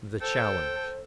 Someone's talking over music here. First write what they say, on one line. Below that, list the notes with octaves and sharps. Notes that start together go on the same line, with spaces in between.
The Challenge.
A4 C5 G5